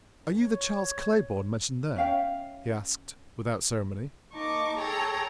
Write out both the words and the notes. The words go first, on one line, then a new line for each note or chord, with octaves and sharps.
"Are you the Charles Claybourne mentioned there?" he asked, without ceremony.
F#2
C#5
C#4 E5 F5 G5
A#3 D#4 A5 C#6 D6
G#4 A4 C#5 G5 A#5